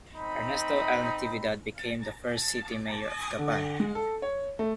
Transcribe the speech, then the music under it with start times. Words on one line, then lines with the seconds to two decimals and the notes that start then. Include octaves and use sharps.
Ernesto L. Natividad became the first city mayor of Gapan.
0.16 C4 D#4 B5
3.39 D3
3.80 G#3
3.95 A4
4.22 C#5
4.59 A3